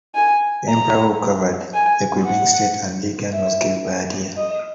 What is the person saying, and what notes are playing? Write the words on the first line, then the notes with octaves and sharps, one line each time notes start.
Emperor Wu covered for Qubing, stating that Li Gan was "killed by a deer".
G#5
A#5
G#5
F#5
E5
D#5